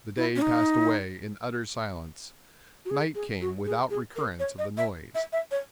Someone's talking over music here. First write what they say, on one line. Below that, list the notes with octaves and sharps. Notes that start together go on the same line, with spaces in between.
The day passed away in utter silence--night came without recurrence of the noise.
E4
C#4
D#4
F#4
G#4
G#4
F#4
G#4
G#4
A#4
C#5
D#5
E5
E5
E5
C#5